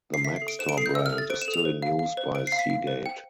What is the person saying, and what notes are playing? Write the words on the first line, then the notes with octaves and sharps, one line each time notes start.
The Maxtor brand is still in use by Seagate.
C7
E5 B6
C7
A4
D7
C5 E7
D7
A4 C7
G6
E5 E6
F6
A4
A6
C5 D7
E7
A4
F7
C5
F5
F5
C5
C5 D7
C7
F5
B6
F5
C5
G5